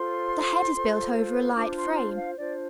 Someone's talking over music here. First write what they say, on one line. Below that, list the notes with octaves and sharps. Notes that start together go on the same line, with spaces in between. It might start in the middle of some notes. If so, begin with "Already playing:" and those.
The head is built over a light frame.
Already playing: F4 A4 C5 C6
F4 A4 C5
D4 F4 C5 D6
C6
C6
F5
D4 F4 C5 D5